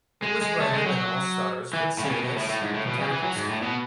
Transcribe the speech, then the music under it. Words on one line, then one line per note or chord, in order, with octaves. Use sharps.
It was brighter than all stars but Sirius and Canopus.
G#3
G#3
A3
G#3
F#3
E3
A2
C#3
B2
B2
A2
A2
G#2
A2
B2
C#3
E3
F#3
G#2
A2
B2